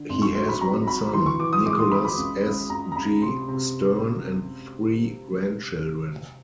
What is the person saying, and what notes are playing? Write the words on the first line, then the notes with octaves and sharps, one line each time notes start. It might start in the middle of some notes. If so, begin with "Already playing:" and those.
He has one son, Nicholas S. G. Stern, and three grandchildren.
Already playing: D3
G#1 C6
C#6
F#3 C6
B5
F#3 A#5
F#3 B5
E3 C6
C#6
E3 D6
D#6
G#3 D6
C6
G#3 B5
B5
C#2
C#2
C#2 A#5
A#5
C#2 B5
C3 C6
C3